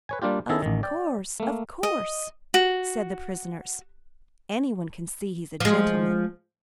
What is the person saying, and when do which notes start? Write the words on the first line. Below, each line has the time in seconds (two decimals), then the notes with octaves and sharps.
"Of course--of course," said the prisoners;--"any one can see he's a gentleman!"
0.09 B4 C#5 G#5
0.22 G3 A#3 D4 F4 G4
0.49 D#3 C#4 E4 G#4 A4
0.62 A1 D#3
0.83 D5 G5
1.40 A3 A#3
1.83 D#5
2.54 F#4
5.60 F3 G#3